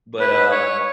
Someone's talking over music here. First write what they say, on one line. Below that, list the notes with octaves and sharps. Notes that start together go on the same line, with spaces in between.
But, um,
B4
C#5